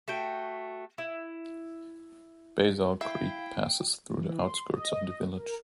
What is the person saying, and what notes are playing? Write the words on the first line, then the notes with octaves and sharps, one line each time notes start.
Bazile Creek passes through the outskirts of the village.
A3 F#4 G5
E4
E4 E5 F5 G5
E3
C6
D#5
A#4